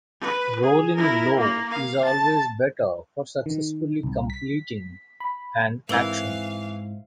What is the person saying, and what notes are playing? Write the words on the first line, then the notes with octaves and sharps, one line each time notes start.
Rolling low is always better for successfully completing an action.
B4
G#4
E4 A#4
A#3
F5
A5
D#3
C2
B6
B5
G#2 E3 C4 E4 A#4 B4 F5 E6